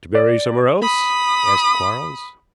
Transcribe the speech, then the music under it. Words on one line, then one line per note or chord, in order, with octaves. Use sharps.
"To bury somewhere else?" asked Quarles.
D5
B5 D#6